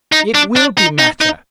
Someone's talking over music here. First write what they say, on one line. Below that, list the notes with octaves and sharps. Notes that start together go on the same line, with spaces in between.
'It will be matter.
D#4
D4
D4
D#4
D#4
D#4